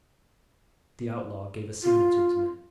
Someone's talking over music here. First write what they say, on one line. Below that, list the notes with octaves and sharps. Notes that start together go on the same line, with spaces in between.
The outlaw gave a signal to his men.
F4